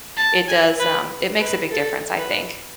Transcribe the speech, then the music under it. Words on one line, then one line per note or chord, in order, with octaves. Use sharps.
it does um, it makes a big difference, I think.
A5
G#5
B4
B4
A4
B4